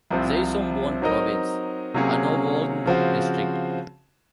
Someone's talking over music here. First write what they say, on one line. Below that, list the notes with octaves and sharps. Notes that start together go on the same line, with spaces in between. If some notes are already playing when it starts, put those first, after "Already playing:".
Xaisomboun Province, Anouvong District.
C2 C3 F3 C4
F#3 C4 D#4 A#4 D#5
C3 F#3 A#3 C#4 G#4
C#3 F3 C4 F#4